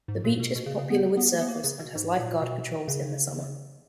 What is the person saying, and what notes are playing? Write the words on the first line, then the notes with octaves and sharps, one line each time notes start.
The beach is popular with surfers and has lifeguard patrols in the summer.
G#2
A#2
B2
B2
C#3
C#3
B3
B3
A#3
B3
A#3
C#3
B2
G#2
A#2
B2
C#3